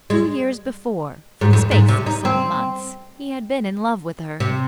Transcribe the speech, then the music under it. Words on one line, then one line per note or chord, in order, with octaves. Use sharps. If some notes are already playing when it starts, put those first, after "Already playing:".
Two years before, for the space of some months, he had been in love with her.
G#3
G#2
F2
G#2
C3
D#4
C4
C3